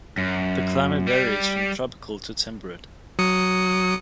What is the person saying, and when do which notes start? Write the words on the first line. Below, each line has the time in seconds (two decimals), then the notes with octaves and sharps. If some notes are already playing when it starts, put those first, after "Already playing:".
The climate varies from tropical to temperate.
0.18 F#2
1.07 G3
3.19 F#3 D#6 C#7